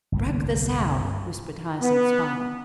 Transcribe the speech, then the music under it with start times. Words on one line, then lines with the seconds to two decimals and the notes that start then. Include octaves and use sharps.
"Drug the sow," whispered Hyacinth's father.
0.12 G1 C2 A2
1.82 B3